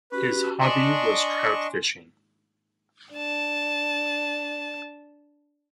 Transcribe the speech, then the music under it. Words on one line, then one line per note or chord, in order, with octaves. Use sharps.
His hobby was trout fishing.
C#4 F#4 G4 B4
D4 D#5 G#5 C6 C#6
D4 A5